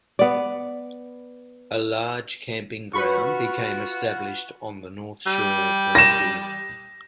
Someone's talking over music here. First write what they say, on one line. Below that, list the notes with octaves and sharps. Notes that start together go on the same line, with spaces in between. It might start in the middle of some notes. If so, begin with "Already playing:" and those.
A large camping ground became established on the north shore of the lagoon.
B3 D5
F4 F#4 B4 B5 C#6
G3
A#6 E7